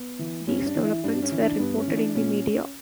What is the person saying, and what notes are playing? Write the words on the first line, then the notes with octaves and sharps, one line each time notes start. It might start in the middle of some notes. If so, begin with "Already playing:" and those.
These developments were reported in the media.
Already playing: B3
E3
G2 C#4
D4
E3
E4
G2 D4
C#4
E3
D4
G2 B3
C#4
E3
D4
A#2 C#4